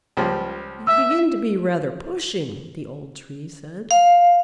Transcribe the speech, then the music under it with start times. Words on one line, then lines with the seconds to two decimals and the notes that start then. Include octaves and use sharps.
"You begin to be rather pushing," the Old Tree said.
0.17 C#2 F3 G3
0.87 E5 E6
3.91 F5